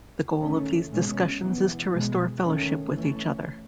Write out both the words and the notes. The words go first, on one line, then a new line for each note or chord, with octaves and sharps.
The goal of these discussions is to restore fellowship with each other.
D#3 A3 C#4
B2 G#3 C#4
E3 B3
B2 G#3 B3
D#3 A3 C#4
E3 A3 C#4